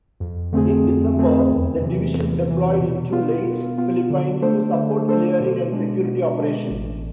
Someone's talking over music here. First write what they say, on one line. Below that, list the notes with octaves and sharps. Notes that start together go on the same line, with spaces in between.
In December, the division deployed into Leyte, Philippines to support clearing and security operations.
F2
D3 A3 C4 G#4
F2
D3 A3 C4 G#4
E2
C3 E3
E2
C3 E3
B2
B3 F4
B2
B3 F4
D3
A3 D4 A4 C5
D3
A3 D4 A4 C5
B2
G#3 D4
B2
G#3 D4
A1